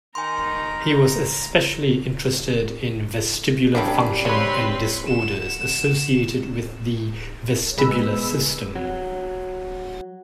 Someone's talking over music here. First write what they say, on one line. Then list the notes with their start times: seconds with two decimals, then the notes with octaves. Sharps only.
He was especially interested in vestibular function and disorders associated with the vestibular system.
0.15 D#3 G#5 A#5 C6
3.75 F#2 C3 G3 C4 D4 G5
4.25 G#3 C4 B4 C#5 B5 C6
5.04 F#4 E7
7.77 B2 G#3 B4 E6
8.75 F#3